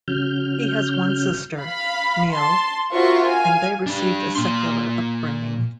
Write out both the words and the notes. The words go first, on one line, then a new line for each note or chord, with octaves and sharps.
He has one sister, Miel, and they received a secular upbringing.
C#3 F#3 F6 G6
F5 B5
A5 C6
F4 F#4 A#4 C5 E5 C#6
F5 G#5
D4 G4
A#2 C6